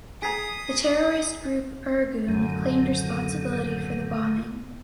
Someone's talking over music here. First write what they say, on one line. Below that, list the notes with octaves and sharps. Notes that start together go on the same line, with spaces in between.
The terrorist group Irgun claimed responsibility for the bombing.
G#4 G#5 A#5 D#6 B6 C7
F#2 A2 D3 D#3